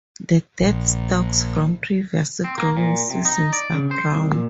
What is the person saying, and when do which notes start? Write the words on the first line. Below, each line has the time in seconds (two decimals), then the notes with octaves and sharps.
The dead stalks from previous growing seasons are brown.
0.61 A#1
2.44 C4
2.58 A#3
2.77 A#2
3.10 C3
3.25 D#4
3.53 D5
3.74 C#3
3.91 C5
4.12 C2
4.32 A#2